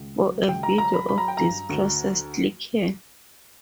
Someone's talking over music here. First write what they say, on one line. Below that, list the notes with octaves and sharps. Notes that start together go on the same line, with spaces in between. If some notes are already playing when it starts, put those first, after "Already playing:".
For a video of this process click here.
Already playing: C#2
F#3
C#2 G5
A#5
F#3 A#5
B5
F#3 B5
A#5
G5
G2 A#5
D2